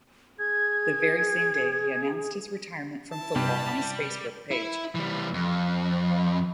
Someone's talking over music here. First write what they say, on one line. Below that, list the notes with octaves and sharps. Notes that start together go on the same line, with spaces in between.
The very same day he announced his retirement from football on his Facebook page.
G#4 G#6
E4 A5
G2 C3 G3
E4
E3 G3
F2